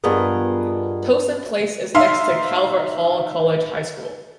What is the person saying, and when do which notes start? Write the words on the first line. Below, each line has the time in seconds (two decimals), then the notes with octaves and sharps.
Towson Place is next to Calvert Hall College High School.
0.04 G2 B3 F4 G#4 A#4 D#5
1.94 D#4 E5 F5 C6